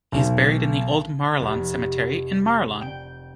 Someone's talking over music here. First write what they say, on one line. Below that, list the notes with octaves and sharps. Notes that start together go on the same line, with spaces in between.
He is buried in the Old Marulan Cemetery in Marulan.
B1
F1
G5